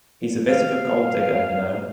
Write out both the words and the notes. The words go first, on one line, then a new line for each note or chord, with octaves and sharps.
He’s a bit of a gold-digger you know.
F5